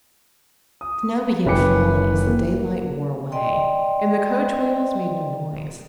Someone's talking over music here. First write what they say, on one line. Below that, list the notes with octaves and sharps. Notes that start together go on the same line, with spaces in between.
Snow began falling as the daylight wore away, and the coach wheels made no noise.
D#6
F#1 C#4 B4 G5 D6 C#7
A#3
D5 D#5 G5 C6